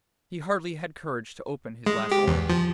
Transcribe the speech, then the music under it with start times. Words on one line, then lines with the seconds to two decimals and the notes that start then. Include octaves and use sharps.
He hardly had courage to open his last orange.
1.86 G#3
2.11 G4
2.27 E2
2.50 F3